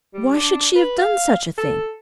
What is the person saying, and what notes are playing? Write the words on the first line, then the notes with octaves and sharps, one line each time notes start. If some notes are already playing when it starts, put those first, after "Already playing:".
Why should she have done such a thing?
G3
D4
B4
F5
A4